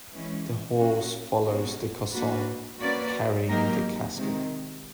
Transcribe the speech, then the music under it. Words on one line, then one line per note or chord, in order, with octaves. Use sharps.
The horse follows the caisson carrying the casket.
E3 G#3 C#4
A#3 C#4 F#4
B2 G3 A#3 C#4 F#4
A#3 D4 F#4 B4
A#3 C#4 F#4 B4 D5
F#3 A#3 D#4 G4 A#4
C3 D#3 G#3